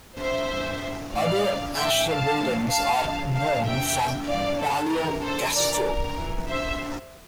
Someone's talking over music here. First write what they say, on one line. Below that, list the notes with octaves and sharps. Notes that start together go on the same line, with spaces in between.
Other ashlar-buildings are known from Palaeokastro.
C5 E5
G2 E3
A2 E3 D5 F5
A2 E3 E5 G5
F5 A5
A2 E3
F5 A5
F2 D3
F5 A5
E2 C3 E3 E5 G5
G2 E3 D5 F5
A4
E2 C3 E3 A#4
A4 C5
F2 C3 E3 A#4 D5
A#4
F2 E3
C5 E5